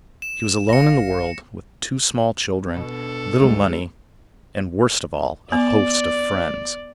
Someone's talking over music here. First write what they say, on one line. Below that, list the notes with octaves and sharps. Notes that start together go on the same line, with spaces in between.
She was alone in the world, with two small children, little money, and, worst of all, a host of friends.
E7
G1 F5 A#6 C#7
B2 D4 A4
D2 G3 G#3
B3 D5